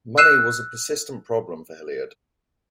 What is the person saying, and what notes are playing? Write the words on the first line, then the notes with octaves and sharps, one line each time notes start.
Money was a persistent problem for Hilliard.
E6 F#6 C7 D#7 E7